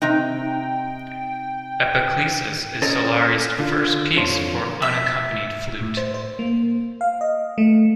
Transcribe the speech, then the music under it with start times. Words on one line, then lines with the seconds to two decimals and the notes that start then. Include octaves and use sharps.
Epiclesis is Solare's first piece for unaccompanied flute.
0.02 C3 D#4 G5
2.82 C#4 A4 A#4 C5 C#5 D#5
3.59 D3 F4
4.16 F2 D3 F3 C#5 C6
4.82 E5
5.81 A2
5.97 C5
6.14 C5
6.39 A#3
7.01 F5
7.21 D#5
7.58 A3